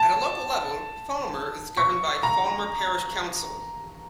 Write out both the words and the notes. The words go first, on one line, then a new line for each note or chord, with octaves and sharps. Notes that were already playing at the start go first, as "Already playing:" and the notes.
At a local level Falmer is governed by Falmer Parish Council.
Already playing: A5
C#6
A#5